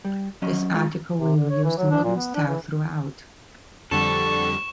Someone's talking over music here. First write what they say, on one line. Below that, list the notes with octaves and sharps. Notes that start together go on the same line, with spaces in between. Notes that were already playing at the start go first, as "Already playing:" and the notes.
This article will use the modern style throughout.
G3
F#3 C#4 D#5
G#3 F4
C3
D3
C#5
E3
F#3
D4
A#2
B3
D4
E3
F2 D3 G3 A4 C#6 E7